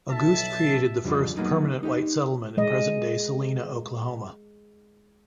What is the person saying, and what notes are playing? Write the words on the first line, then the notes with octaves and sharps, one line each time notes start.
Auguste created the first permanent white settlement in present-day Salina, Oklahoma.
B1 E5 A5
F2 D3 G3 G#3
F#3 G#3 A#3 B3 D#4
D#4 G4
G#3 D#5